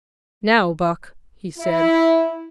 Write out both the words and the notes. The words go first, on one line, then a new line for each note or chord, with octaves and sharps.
"Now, Buck," he said.
E4